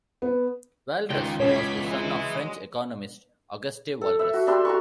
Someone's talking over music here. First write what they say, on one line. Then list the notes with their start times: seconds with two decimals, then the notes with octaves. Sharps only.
Walras was the son of French economist Auguste Walras.
0.22 B3
1.10 C#2 D#3 G5
1.40 E2 B2 C#4 C#5 D6 G#6 B6
1.83 E3 F#3 G#3 E4
4.01 A4
4.19 E5
4.34 F#4
4.47 D4 G4 E5 C6
4.65 F#4 A#5 C6 C#6